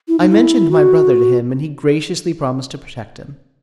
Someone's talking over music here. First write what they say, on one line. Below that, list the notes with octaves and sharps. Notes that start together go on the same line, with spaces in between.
I mentioned my brother to him, and he graciously promised to protect him.
E4
D#4
E4
F#4